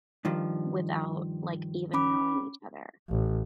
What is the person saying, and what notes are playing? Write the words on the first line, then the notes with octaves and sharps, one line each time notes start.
without, like, even knowing each other.
G2 D#3 F3
C#4 B5 D6
A1